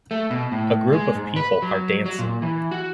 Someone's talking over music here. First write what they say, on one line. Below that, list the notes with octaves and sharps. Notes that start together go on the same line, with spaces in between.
A group of people are dancing.
A3
B2
A2
G#3
G#2
B4
F#3
F#3
A#2
E3
F#4